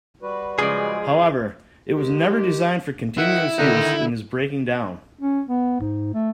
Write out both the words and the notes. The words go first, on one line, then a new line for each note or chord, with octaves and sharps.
However, it was never designed for continuous use and is breaking down.
G3 F#4 B4
C#3 F3 G#3 G#4 D5
D#3 G#3 G4
D#3 E4 G#4 F#5 G5
D3 D#3 D#4 F#5
C#4
B3
G#2
A3